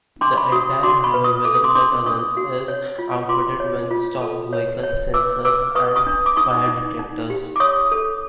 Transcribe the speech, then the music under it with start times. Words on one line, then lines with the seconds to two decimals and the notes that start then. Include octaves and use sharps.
The entire highway within the tunnels is outfitted with stopped-vehicle sensors and fire detectors.
0.21 D4 C6 D6
0.37 B5 C#6
0.52 F#4 C#6 D#6
0.83 F#4 C6 D6
1.04 B5 C#6
1.14 B4
1.24 C#6 D#6
1.45 A4 D6
1.54 D#6
1.64 C6 D6
1.75 D4 C6 D6
2.06 D4 C#6 D#6
2.37 F#4
2.68 C#5
2.99 F4
3.29 F4 C6 D6
3.60 C#5
3.91 F4
4.21 A4
4.53 C#5
4.83 C#5
5.14 B4 D6 E6
5.45 B4 D6 E6
5.75 B4 C#6 D#6
5.96 C#6 D#6
6.07 D4
6.26 D6
6.37 D#4 C#6 D#6
6.68 D#4
6.99 D#4
7.30 G4
7.56 D6
7.60 C#5 C#6 D#6
7.92 A4